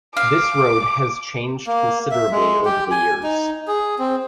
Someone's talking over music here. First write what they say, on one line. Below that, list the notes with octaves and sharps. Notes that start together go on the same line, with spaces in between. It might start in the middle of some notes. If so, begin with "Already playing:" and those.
This road has changed considerably over the years.
F5 D6
A#3
E5
G#3
G4
G#5
D#4
G#4
C4